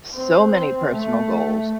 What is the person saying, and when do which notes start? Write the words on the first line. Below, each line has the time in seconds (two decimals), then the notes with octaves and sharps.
so many personal goals,
0.14 C4
0.92 A3